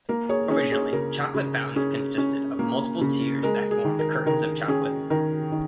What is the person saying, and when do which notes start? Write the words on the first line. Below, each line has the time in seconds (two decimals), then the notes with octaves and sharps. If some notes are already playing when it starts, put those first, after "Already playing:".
Originally, chocolate fountains consisted of multiple tiers that formed curtains of chocolate.
0.09 A#3 A#4
0.29 G#4 C#5
0.50 C#4 G#4 C#5
0.72 G#4 C#5
0.92 C#3 A#4
1.34 C#3
1.76 C#4 G#4
2.18 C#4
2.59 A#3
3.01 C#3
3.43 G#3 A#4
3.71 G#4
3.85 D#3
3.99 A#4
4.26 D#3 A#4
4.68 C#4 G#4
5.10 D#3 A#4
5.52 D#3